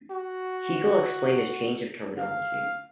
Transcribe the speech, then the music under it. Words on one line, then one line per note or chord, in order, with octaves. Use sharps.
Hegel explained his change of terminology.
F#4
F5